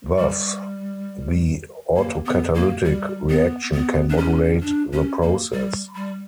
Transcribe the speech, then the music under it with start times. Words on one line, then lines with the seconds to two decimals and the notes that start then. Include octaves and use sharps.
Thus, the autocatalytic reaction can modulate the process.
0.18 G3
1.96 A#3
2.25 B3
2.54 A#3
2.84 G3
3.29 B3
3.74 B3
4.09 D4
4.17 C#4
4.62 D4
4.92 C#4
5.22 A#3
5.52 G3
5.95 G3